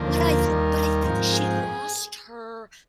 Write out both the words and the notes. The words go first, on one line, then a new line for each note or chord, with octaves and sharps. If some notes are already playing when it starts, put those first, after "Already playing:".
but I th but I think she lost her
Already playing: D#2 D3 F3 A#3
A#4
D#2 D#3 G3
G#2 F3 C4
G#4